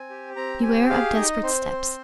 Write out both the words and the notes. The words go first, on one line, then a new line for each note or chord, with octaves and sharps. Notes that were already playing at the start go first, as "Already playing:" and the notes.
Beware of desperate steps!
Already playing: C4 G#5
G4
C4 A#5
G4 G#5
G#4 F5
D#4 D#5
C4 C5
C4